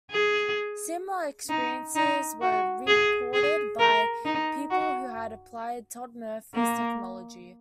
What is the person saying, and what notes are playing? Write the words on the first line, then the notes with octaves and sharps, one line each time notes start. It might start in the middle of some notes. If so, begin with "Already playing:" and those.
Similar experiences were reported by people who had applied Todd Murphy's technology.
G#4
D#4
D#4
F#4
G#4
G#4
A#4
D#4
F#4
A#3